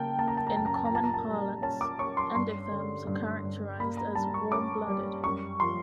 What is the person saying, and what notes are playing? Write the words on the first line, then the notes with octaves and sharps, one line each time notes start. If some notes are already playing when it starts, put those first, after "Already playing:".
In common parlance, endotherms are characterized as "warm-blooded".
Already playing: C#3 A#3 G5 A5
A#3 A5
A#5
A5
A#5
F#2 A5
A#5
A5
A#5
A#2 A5
A#5
A5
G3
C#4 A5
D6
C#4 C#6
C6
G2 C6
D3
G2
G2
A#3 B5
A#5
G3 A5
C#6
C#4 D6
G3
F#2 C#6
F3 C6